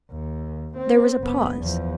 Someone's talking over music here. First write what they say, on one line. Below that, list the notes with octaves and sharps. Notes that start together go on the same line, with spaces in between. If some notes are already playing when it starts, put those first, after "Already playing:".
There was a pause.
D#2
C4
F#1 B3
E2 F3